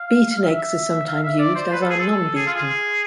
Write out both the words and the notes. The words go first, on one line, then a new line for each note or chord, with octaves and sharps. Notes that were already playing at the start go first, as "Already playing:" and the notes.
Beaten eggs are sometimes used, as are non-beaten.
Already playing: F5
F5
E5
F5
E5
D5
C5
B4
A4
G#4
A4
G#4
F4
G#4